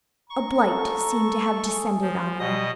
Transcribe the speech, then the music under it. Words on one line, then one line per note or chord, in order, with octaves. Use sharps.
A blight seemed to have descended on her.
A#5 C#6
A4
G#4
F3
B2 G3 D#5 D#6